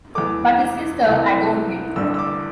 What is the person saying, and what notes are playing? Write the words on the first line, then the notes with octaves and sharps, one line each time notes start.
But his sister adored him.
E2 E3 A3 D6
C2 C3 E3 A3
A1 G2 D3 G3 E6
E6
D6